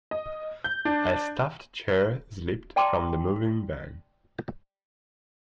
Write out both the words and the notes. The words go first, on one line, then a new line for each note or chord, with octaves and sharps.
A stuffed chair slipped from the moving van.
D#5
G6
D4
D5 G5 A5 A#5 C6 D6